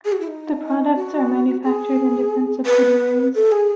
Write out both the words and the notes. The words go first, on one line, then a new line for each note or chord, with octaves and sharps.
The products are manufactured in different subsidiaries.
G#4
F#4
E4
D#4
F#4
G#4
B4
A4
G#4